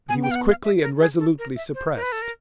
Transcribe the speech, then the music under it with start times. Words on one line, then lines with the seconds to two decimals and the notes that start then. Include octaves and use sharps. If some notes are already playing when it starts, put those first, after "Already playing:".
But he was quickly and resolutely suppressed.
0.09 B3 G#5
0.23 G5
0.31 F5
0.36 F#5
0.50 F5
0.64 E5
0.82 A#4
1.00 G#4
1.19 A4
1.39 A#4
1.56 E5
1.74 C5
1.96 A#4
2.02 B4
2.12 A4
2.22 A#4